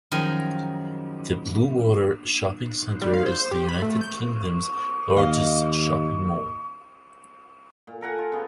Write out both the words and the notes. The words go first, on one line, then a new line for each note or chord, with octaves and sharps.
The Bluewater shopping centre is the United Kingdom's largest shopping mall.
F#2 D#3 F3 G#4 A#4 G#5
G3
F5
C5
G4
B5
A3
G6
D#2 D#5 F5
A#2
A4 A#4 F#5 G#5
F4
C#3 B3